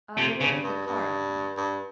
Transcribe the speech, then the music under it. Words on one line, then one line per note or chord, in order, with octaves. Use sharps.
"I will leave a card then."
F2 C3
G2 C#3
G2
G2
G2